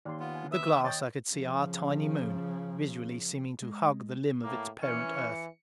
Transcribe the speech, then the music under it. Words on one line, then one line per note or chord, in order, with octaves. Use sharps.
With the glass I could see our tiny Moon, visually seeming to hug the limb of its parent Earth.
D#2 D5 C6
B3 F4
G#5
B4 E5 D#6
C#5 D#5 G5 A6
C#3 F3
G#3
A2 A#3
E3 C#4 C#7